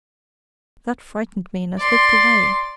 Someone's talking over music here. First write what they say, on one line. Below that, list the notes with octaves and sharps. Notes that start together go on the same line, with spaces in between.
That frightened me, and I slipped away.
D5 C6